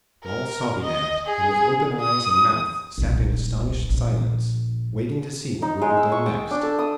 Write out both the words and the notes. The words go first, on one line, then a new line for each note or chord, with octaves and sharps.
All saw the act, and with open eyes and mouth sat in astonished silence, waiting to see what would be done next.
A#4
D#5
G#4
D#6
D#1 B1
A#1
D#4
G#3
E6
C#6
G5
D4
A4
D#6